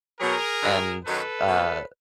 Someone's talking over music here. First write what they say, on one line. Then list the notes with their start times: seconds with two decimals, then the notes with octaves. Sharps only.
and, uh-
0.20 B2 F#3 G#4 A#4
0.62 G2 D3 F#3
1.06 F#2 D#3 F#3 A4 B4
1.48 B2 F#3